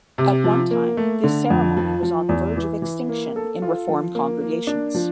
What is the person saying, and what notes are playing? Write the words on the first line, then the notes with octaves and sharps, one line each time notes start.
At one time, this ceremony was on the verge of extinction in Reform congregations.
C3
F3
A#3
A3
D3
F2
F3
F3
E2
E3
E3
A#3
A4
F4
F3
A#3
A#3
D4
F3